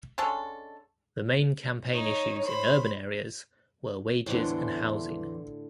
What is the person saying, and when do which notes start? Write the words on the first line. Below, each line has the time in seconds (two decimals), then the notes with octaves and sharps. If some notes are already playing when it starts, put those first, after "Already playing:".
The main campaign issues in urban areas were wages and housing.
0.18 D3 G#3 C#4 A4
1.93 D#4 C#5
2.44 C5 B5
4.26 E2 A2 D3 E3 E4 C5 C6